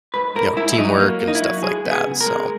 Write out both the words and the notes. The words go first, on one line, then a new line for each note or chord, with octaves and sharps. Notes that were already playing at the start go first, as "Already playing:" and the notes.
you know, teamwork and stuff like that, so,
G#2 B4
G#2 A#4
G#2 E4
E4
F#3 D#4
A#3
A#3
D#4
E4
F#3
G#3 G#4
B3
G#4
C#3
A#4
G#3